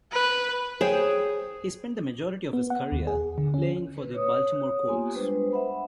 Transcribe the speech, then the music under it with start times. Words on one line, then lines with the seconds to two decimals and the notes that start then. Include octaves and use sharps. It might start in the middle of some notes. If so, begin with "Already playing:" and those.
He spent the majority of his career playing for the Baltimore Colts.
0.13 B4
0.81 G#4 C5 C#5 G5
2.53 B3
2.70 F#5
2.92 D#2
3.07 G#4
3.38 D3
3.54 C#4
3.97 B4
4.14 C#5 D#6
4.88 A#3 B3 F4 G4 G#5 C6
5.15 G3 G#3 D4 B4 C5
5.52 E5 F#5 B5